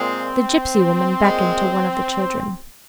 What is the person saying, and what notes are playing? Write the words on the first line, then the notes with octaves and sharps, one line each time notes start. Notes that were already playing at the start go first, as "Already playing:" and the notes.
The gipsy woman beckoned to one of the children.
Already playing: A#2 G#3 C4
A#2 G#3